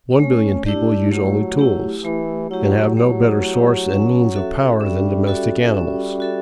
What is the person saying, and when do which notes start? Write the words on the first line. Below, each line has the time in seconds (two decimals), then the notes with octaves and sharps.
One billion people use only tools, and have no better source and means of power than domestic animals.
0.20 A3 C#4
0.66 D4 E4 G4
1.12 F#3 A3
1.59 E4 G4
2.04 E3 A3
2.51 F#3 E4 G4
2.97 F#3 A3
3.43 E4 G4
3.89 C#4
4.36 F#4 A4 E5
4.81 G3 C#4
5.27 F#4 A4 E5
5.74 G3 C#4
6.20 F#4 A4 E5